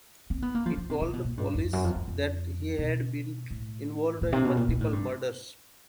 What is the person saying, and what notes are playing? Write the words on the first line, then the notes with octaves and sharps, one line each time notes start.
He told police that he had been involved in multiple murders.
C4
B3
A#3
F3
F3
C3
C3
B2
A#2
G2
F2
F#2
F2
F2
F2
B2
A2
A2
C3
B2
A#2
A#2
A2
G2